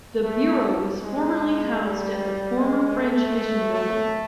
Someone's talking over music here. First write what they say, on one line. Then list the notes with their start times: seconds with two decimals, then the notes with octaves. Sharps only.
The bureau was formerly housed at the Former French Mission Building.
0.24 A3
1.02 G#3
1.80 G3
2.58 G#3
2.97 A3
3.36 A3
3.75 A3